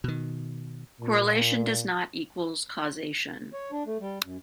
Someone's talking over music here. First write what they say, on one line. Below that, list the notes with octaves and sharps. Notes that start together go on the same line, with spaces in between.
Correlation does not equals causation.
B2 D#3
A#2
C#5
D4
A3
G3
F#2